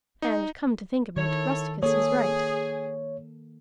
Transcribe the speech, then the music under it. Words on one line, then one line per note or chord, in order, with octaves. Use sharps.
And come to think of it Rusticus is right.
D#4
D#3 E4 A4 C#5
A#3 G#4 A4 C#5